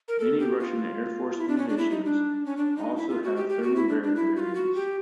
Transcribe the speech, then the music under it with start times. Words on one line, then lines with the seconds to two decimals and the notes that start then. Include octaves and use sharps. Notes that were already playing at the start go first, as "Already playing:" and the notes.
Many Russian Air Force munitions also have thermobaric variants.
0.08 A#4
0.20 A4
0.40 G4
0.60 F4
1.38 E4
1.48 D4
1.58 C#4
1.69 D4
1.78 E4
1.91 D#4
2.05 D4
2.45 C#4
2.57 D4
2.77 D#4
2.97 E4
3.09 F4
3.24 F#4
3.36 G4
3.49 G4
3.63 F#4
3.76 E4
3.89 D4
4.03 D4
4.16 E4
4.36 F#4
4.40 F4
4.55 F#4
4.75 G4